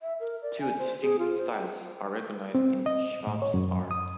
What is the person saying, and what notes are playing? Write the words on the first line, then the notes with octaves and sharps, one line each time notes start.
Two distinct styles are recognized in Schwabe's art.
E5
A#4
D5
G#5
C5
G#4
F4
C5
G5
C4
D#5
A2
C#5
F#2
D#6